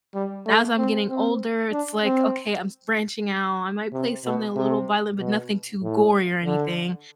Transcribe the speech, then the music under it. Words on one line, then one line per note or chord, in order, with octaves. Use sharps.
as I'm getting older, it's, like, okay, I'm s branching out, I might play something a little violent, but nothing too gory or anything,
G3
A3
C4
C4
D4
C4
C3
B2
C3
B2
A2
D3